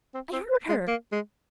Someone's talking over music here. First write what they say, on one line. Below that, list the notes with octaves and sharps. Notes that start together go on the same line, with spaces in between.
I heard her.
C4
C4
G#3
A#3
G#3